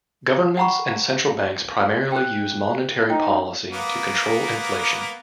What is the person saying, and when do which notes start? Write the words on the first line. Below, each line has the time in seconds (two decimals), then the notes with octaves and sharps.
Governments and central banks primarily use monetary policy to control inflation.
0.57 F#5 G5 A#5 B5 C#6
2.12 G5 F#6
3.10 D#4 G5
3.71 A#3 B3